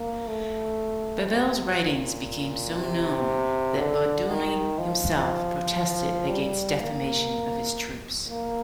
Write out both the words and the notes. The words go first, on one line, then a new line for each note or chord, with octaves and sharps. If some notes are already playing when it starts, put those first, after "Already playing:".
Babel's writings became so known that Budionny himself protested against "defamation" of his troops.
Already playing: A#3
A3
C3
A#2
C3
D3
D#3
F3
G3
A#3
A#3